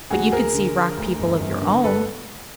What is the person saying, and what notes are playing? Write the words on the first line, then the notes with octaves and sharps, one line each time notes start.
But you could see rock people of your own.
D2 F#4 G#4
D2 G#4 A#4
D3
D3
D2
G1
G1
D3
G1 A4 B4